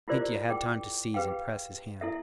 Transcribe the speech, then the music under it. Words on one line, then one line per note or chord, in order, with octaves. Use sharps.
Mitya had time to seize and press his hand.
E4 F4 G4 A#4 C5 D5
G#4 G5 D6
G4 G#4 B4 F5 G5
E4 A4 E5